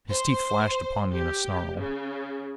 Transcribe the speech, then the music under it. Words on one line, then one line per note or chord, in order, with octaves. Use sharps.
His teeth flashed upon me in a snarl.
C5
G4
C#3